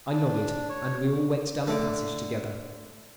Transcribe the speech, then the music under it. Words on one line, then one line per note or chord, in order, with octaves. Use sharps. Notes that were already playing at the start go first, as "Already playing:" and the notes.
I nodded, and we all went down the passage together.
D4
C#5
D3 A3